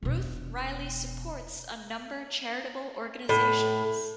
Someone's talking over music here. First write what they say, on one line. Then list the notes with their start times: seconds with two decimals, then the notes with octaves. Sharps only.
Ruth Riley supports a number charitable organizations.
0.03 E1 B2
3.29 A2